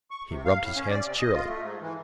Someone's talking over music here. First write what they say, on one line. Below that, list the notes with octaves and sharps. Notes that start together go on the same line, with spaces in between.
He rubbed his hands cheerily.
C#6
C3
F5
A2
C#4
D5
C3
D#5
F4
A3
G#2
E3